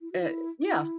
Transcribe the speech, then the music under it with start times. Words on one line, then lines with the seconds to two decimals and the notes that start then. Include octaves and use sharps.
eh yeah.
0.01 E4
0.12 F#4
0.21 E4
0.62 E4